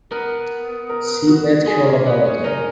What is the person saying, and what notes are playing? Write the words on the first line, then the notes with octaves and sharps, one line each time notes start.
See Medical laboratory.
B3 A#4
A#4
F#4
G#3 G#4
A#3
B3
C#4
D#4 A#4